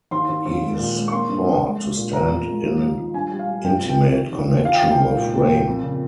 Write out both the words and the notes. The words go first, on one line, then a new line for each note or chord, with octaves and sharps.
He is thought to stand in intimate connection with rain.
D#2 C6
D#2
D#2
G#3
A#2
G#3
C#6
A#3 C6
G2
G2
G#3
G#3
A#2
F3 A#5
F3
G#3
D#2
D#2
F3
G2 G#5
G3
F5
G3
F3 G5
C3
G5
F3
D#3
D#2
D#2
F3 F5
G5
G#2 F5
G5
G#2
A#2
A#3
A#2
F2
C#3